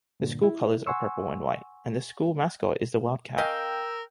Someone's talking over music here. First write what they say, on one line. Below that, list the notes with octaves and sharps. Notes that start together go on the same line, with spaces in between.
The school colors are purple and white and the school mascot is the Wildcat.
G2 A#2 D3
E4
F#5 G#5 C6 C#6 E6
C#4 A#4 D#5 F5 G5 E6 G6